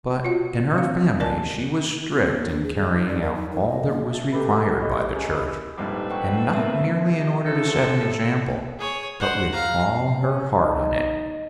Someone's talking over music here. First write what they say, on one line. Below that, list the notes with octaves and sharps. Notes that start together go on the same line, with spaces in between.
But in her family she was strict in carrying out all that was required by the Church--and not merely in order to set an example, but with all her heart in it.
F4 F#4 C#5 F#5
E3 C4 F5
A#4 D5 D#5 G#5 A5
C4
A#3
D4
G#4
G#4
D#4
D5
A#4
D#4
A#4
D#5
A#3
E5 A5
A3 G4 A4 B4
E4 C#5 D#5
A#3 C#4 G#4
E4 G#4 B4
A#1 G#2 G3 C4 D#4 A4 B4
F#5 G5 C#6
C3 A#3 E5
G4
F3 F#3 A4
G#4 C#5
C5 F#5
F5 A#5
C#4
D#4